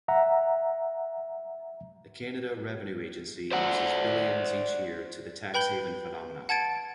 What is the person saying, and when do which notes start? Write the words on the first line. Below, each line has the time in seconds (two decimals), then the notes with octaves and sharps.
The Canada Revenue Agency loses billions each year to the Tax Haven phenomena.
0.08 E5 F#5 A#5
3.51 C5 D5 F#5
5.54 B4 G5 B5 G6 G7
6.49 F#5 A5 G#6 A6 D7